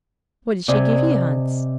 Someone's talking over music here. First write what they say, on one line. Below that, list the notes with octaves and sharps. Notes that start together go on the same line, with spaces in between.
'What did she give you, Hans?'
C3 D5 D#5 G#5